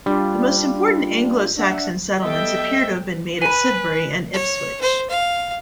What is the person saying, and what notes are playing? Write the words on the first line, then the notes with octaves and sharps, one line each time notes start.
The most important Anglo-Saxon settlements appear to have been made at Sudbury and Ipswich.
G3 D4 F4
D4 E5 F#5
G3 B3 A4 D#5 E5 G5
B4 G#5 B5
C#5
C5
F5